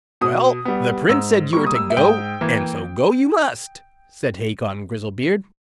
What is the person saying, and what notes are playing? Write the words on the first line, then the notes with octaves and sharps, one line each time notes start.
'Well, the Prince said you were to go, and so go you must', said Hacon Grizzlebeard.
B2 D#6
G3 B3
G#2 E6
G3 A#3 C#6
D#6
E6
E5
G#2 G5
E3 A#3